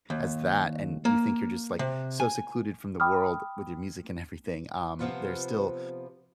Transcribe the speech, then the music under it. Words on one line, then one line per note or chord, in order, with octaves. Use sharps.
as that and you think you're just, like, so secluded from the world with your music and everything um, there's still
D#2
A#3
C3
G#5
G5 B5 D6 D#6 F6
C3 F3 B3 F4 B4